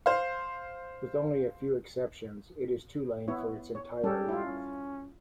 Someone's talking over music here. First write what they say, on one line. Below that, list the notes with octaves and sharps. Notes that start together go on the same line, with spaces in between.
With only a few exceptions, it is two-lane for its entire length.
C5 F5
B3 E4 C#5
C#5
G3 C#4 G4 A4
E4 F4
C#4